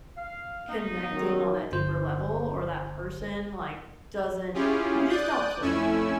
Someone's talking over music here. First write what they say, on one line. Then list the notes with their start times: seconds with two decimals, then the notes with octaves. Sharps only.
connecting on that deeper level or that person like, doesn't you just don't click.
0.17 F5
0.68 B3 D#4
1.08 F#2 D#3 F#3
1.72 G1 C5
4.54 C#4 E4 F4 G4 G#4
5.08 D5 D#6 F#6 G6 A6
5.62 F2 A3 C#4 E4 G#5 E6